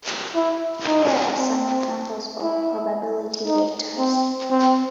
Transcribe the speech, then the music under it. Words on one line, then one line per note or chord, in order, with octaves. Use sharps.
Here are some examples of probability vectors.
E4
D#4
C4
E4
D#4
C4
C4